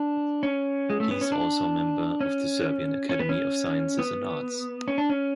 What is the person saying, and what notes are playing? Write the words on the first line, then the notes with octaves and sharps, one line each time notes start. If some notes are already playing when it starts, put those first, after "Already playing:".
He is also a member of the Serbian Academy of Sciences and Arts.
Already playing: D4
C#4
G#3
A3
B3
C#4
D4
C#4
C#4
B3
C#4
B3
C#4
D4
C#4